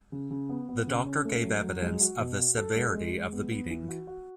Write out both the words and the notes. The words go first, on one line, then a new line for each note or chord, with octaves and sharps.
The doctor gave evidence of the severity of the beating.
C#3
C#3
B3
B3
C#3
C#4
A3
F#3
F#3
G#3
F#4
B2
F#4
A4
G#3
G#3
G#3
B3
B3
E3
F#4
F#4